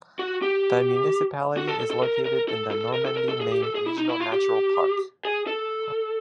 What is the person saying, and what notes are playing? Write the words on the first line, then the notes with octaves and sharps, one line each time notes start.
The municipality is located in the Normandy-Maine Regional Natural Park.
F#4
G4
F#4
A4
A4
A4
A#4
A#4
A4
A4
A#4
A4
A#4
A4
G#4
G4
A4
G#4
E4
D#4
E4
F4
G4
G#4
A4